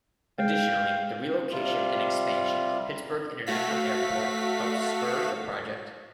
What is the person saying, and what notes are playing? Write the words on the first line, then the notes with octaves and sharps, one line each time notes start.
Additionally, the relocation and expansion of Pittsburgh International Airport helped spur the project.
G#3 F5 G5
C3 G3 F4
A3 F#4 F5 B6